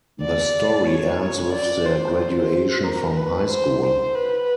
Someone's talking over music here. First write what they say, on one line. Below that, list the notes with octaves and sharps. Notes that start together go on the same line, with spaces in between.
The story ends with their graduation from high school.
D5
C#5
D5
C5
C5
A#4
B4
C5
C5
B4